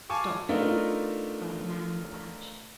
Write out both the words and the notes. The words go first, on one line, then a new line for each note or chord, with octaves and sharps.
"Stopped you?" cried the man with the patch.
F5 G#5 A5 C#6 D6
A3 B3 D4 D#4 F4 A#4